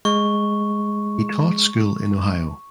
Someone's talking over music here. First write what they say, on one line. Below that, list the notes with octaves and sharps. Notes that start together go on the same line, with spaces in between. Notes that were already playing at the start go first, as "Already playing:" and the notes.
He taught school in Ohio.
G#3 C#6